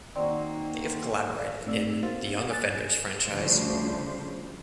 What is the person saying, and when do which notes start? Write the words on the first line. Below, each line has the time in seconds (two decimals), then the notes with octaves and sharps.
They have collaborated in "The Young Offenders" franchise.
0.16 D#3 A#3 C4 D#4 F#4 D5
1.36 D5 F5
1.66 A2 A3 C4 D#4 D5 E6
2.03 A#3 F#4 C5 F5 A6
2.50 G#5 F#6 A6
3.24 D2 C#3 F3 G3 D4 C5